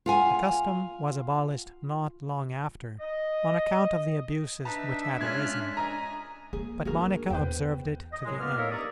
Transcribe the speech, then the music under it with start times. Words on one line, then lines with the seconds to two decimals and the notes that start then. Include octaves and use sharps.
The custom was abolished not long after on account of the abuses which had arisen, but Monica observed it to the end.
0.06 F4 F#5 G#5
3.00 D#5
4.65 D4 D#4 B4 E5 A5 A#5
5.21 G#3 C#4 F4 F6 F#6 G#6
5.77 D#5 G#5 A#5
6.53 A#3 G#4
6.85 A#3 D4 F#4 G#4 A#4
7.30 E2 B4 C5 G5
8.12 D#5
8.25 C2 A2 F#3 G#3
8.40 B2 A#3 B3 D5 F6
8.58 D#4 A4 A#4 C#5 E5 F5
8.71 G2 D5 A#5 C#6 D#6